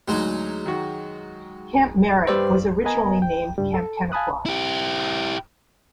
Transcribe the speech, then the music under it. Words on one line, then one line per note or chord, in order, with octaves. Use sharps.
Camp Merritt was originally named Camp Tenafly.
D2 F#3 G#3 D#4
D#3 F#4
G2 G4 B4 C5 D5 E6
B3 A#4 B4 D#5 G#5 A#5
G5
C#2 G2 G3
A4
F5 G#5 A5 B5 D#6 F#6
E4 G4